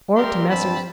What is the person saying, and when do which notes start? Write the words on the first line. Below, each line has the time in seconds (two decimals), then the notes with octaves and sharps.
Or to Messrs.
0.16 G3 A#3 C4 G4 A#4 C6
0.49 G2 C4 A5 B5